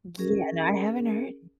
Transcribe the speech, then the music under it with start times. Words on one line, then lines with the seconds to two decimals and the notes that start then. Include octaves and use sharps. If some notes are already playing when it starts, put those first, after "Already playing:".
Yeah. No, I haven't heard
0.18 C#4 G#4 A#4